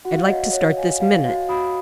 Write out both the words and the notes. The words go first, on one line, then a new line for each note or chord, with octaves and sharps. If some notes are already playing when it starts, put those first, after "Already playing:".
I'd like to start this minute.
F#4 F#5
F5
C#5 D#5 F#5
C#5
C#5 F5 G#5
C#5 F5
F#4 F5
F#4 B5 D#6